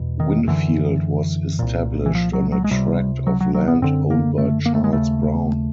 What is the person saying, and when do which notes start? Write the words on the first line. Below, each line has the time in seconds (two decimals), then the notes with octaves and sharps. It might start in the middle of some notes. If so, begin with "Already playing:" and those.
Winfield was established on a tract of land owned by Charles Brown.
Already playing: E2 B2
0.20 D#3
0.48 F#2 D3 E3
1.59 C2 A#2
2.06 E3
2.15 F3
2.33 F#3
2.52 F#3
2.64 G#3
2.71 C#2 C3 G3
3.27 F#3
3.41 F#3
3.54 F#3
3.68 B3
3.82 F#2 D3 C4
4.10 A#3
4.38 A3
4.66 A#3
4.75 A3
4.84 G#3
4.93 D#2 C#3 A3